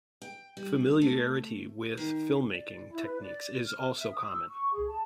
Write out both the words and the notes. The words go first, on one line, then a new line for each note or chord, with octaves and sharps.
Familiarity with film-making techniques is also common.
G5
G3
A3
D#3
D5
E4
B4
D5
F6
E5
D#6
E6
C#6
G#4
A5